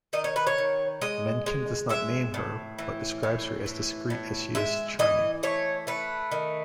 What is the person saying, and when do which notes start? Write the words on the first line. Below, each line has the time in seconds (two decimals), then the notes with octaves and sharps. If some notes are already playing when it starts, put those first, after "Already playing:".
Mencken does not name her but describes her as discreet as she is charming.
0.13 D#3 D#5
0.24 C#5
0.36 B4
0.47 C#5
0.58 D#3
1.01 G#3 D#5
1.46 G#3
1.89 G#3 E5
2.34 A2
2.78 E3
3.23 A2
3.66 E3
4.10 A2
4.55 G#3 E5
4.99 E3 D#5
5.43 A3 C#5
5.87 A3 B4
6.31 D#3